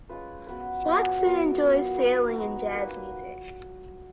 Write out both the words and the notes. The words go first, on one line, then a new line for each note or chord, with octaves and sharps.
Watson enjoys sailing and jazz music.
G#3 C#4 F4 B4
F#3 B3 F4 B4
F#3 B3 F4 B4
F#3 B3 F4 A#4
F#3 B3 F4 A#4
B3 D#4 F#4
B3 D#4 F#4
A#3 D#4 F#4 B4